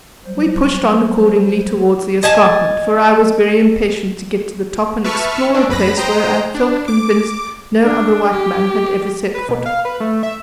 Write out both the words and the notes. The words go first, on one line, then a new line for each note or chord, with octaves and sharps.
We pushed on, accordingly, towards the escarpment, for I was very impatient to get to the top and explore a place where I felt convinced no other white man had ever set foot.
F#3 G3 C5
D#5 G#5 A5
B4 E5 A5 C#6 F6
C#4 D4
F#2 B4 B5 A#6
C5 D#5 G5 A#5
D4
D6
D4
G4
B4
B2
F5
B4
A3
E5